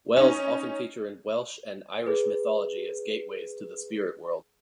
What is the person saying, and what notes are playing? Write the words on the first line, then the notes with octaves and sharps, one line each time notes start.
Wells often feature in Welsh and Irish mythology as gateways to the spirit world.
C#4 D#4
G#4 B4